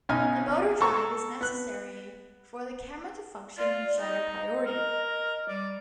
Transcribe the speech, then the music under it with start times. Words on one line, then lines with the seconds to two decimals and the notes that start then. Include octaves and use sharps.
The motor drive is necessary for the camera to function in shutter priority.
0.09 B1 C#4 D#4 G#5 F6
0.81 A4 A#5 C#6
1.41 B3 F#6
3.58 F4 D5
3.98 D#4 D#5
4.66 A#4
5.48 G3 D5